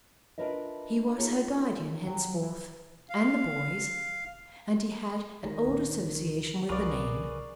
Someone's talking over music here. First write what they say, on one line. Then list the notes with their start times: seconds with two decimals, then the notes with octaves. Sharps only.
He was her guardian henceforth, and the boy's; and he had an old association with the name.
0.38 D4 F4 A#4 B4 D#5 E5
1.18 D#4 F4 G#4 A#4 C#5
2.06 F#3 G5
2.43 E3
3.10 F5
5.44 D#3 G#3
5.65 C#2 A#2
6.69 C2 G#4 A#4 B4 D5 F5 C#6